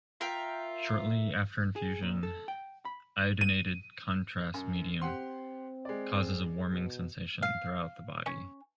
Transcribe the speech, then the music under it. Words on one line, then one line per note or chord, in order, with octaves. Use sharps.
Shortly after infusion, iodinated contrast medium causes a warming sensation throughout the body.
F4 A#4 E5 G5
G#4
A#2
A4
G5
B5
D#7
F#2
C4 G4 F#5 C6
G#3 D5
B2
F5
C#4